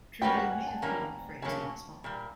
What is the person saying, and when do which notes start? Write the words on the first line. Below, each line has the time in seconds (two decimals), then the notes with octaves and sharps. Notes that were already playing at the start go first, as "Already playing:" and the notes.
Trudeau may have coined the phrase on the spot.
0.22 G3 A#3 C#4 F#4 B4 G5
0.36 F#5
0.51 G#5
0.67 A5
0.82 E3 G3 A#3 C#4 A#5
1.42 C#3 F#3 A#3 C#4 A5
2.04 A#2 G3 A#3